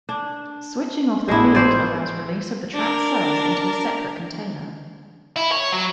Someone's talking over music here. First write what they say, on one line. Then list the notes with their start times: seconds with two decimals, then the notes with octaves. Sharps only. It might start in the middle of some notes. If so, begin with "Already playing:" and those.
Switching off the field allows release of the trapped cells into a separate container.
0.09 D4
1.28 G#1 A2 G#3 B3 D4 E4
1.55 C#4 C5 D5
2.74 D4 A#4
5.36 E4
5.52 C#5
5.72 F#3